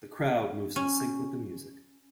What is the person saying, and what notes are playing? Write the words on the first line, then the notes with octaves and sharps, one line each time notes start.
The crowd moves in sync with the music.
C#4